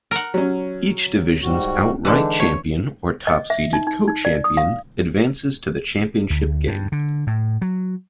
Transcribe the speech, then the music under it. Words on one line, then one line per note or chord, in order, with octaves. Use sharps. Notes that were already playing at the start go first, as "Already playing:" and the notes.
Each division's outright champion or top-seeded co-champion advances to the championship game.
A#4 F#5
F#3 C#4
G#2 G3 F#4
D3 E3 G#3 D4 D#4
C#5
D#5
E5
D#4
D#4
D#4
D5
D#6
F5
D2
G2
D3
A2
F#3